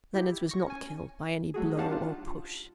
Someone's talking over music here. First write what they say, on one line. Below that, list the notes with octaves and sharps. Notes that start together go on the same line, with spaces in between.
'Leonards was not killed by any blow or push.'
E4 G4
C#6 A#6
C#4 G#5
F#3 A3 F#4 G#4
C#4 D#4 G4 F5 F#5 A5
D4 F4